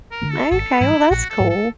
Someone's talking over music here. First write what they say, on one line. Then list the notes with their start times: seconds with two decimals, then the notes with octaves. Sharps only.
Okay, well, that's cool.
0.11 A#4
0.21 D3 F3 A3
0.31 A4
0.51 G#1 A4
0.80 G#2 E3 G3 E4
1.10 A#1 F#4
1.30 A4
1.40 G#2 E3 G3
1.50 A4